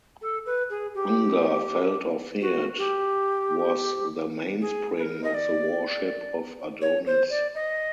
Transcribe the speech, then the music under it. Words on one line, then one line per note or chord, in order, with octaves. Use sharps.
Hunger, felt or feared, was the mainspring of the worship of Adonis.
A4
B4
G#4
G4
F#4
G4
G#4
B4
A#4
D#5
D5
C#5
C5
D5
D#5